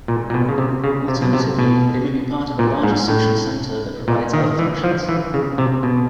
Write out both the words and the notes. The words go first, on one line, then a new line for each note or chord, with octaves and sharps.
Alternatively, they may be part of a larger social center that provides other functions.
A#2
A#2
B2
C#3
C3
C#3
C3
B2
C3
B2
A#2
G#2
A2
A#2
D#3
E3
F3
E3
C#3
C3
B2